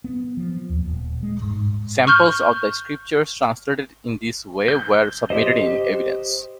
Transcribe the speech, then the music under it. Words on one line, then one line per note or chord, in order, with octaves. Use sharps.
Samples of the scriptures translated in this way were submitted in evidence.
B3
F3
D#2
D#1
G#3
G#2
C#6 F6 G6 G7
G6
G4 C5 D#5